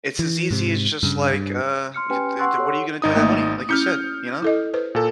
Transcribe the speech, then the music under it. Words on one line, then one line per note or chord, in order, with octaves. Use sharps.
It's as easy as just, like, uh, t th what are you gonna do with that money, like, you said, you know?
E3
G#2 C3
G2 C#3
G2
C6 F6 C#7
C#4 G4 B4 G5 G#5
F#5 C6 C#6 E6 F#6
G4 A4 C#5 F#5
G#1 D#4 D#6
A3 A#3 E5
C#4 E4 F6 G6 C#7
E4 A4 D#5
B4 C5
A#2 A4